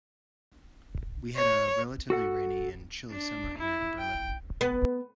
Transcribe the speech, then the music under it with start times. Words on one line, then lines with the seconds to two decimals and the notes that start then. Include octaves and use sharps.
We had a relatively rainy and chilly summer here in Berlin.
1.36 C#5
2.10 F#4 A4 F#5
3.11 D4
3.57 E4
3.97 G5
4.61 B3